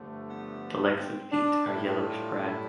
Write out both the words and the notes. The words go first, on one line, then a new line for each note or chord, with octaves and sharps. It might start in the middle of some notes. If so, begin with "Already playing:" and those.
The legs and feet are yellowish-brown.
Already playing: G2 D3 F3 A3
B3
C4
D4
A2 G3 E4
F4
E4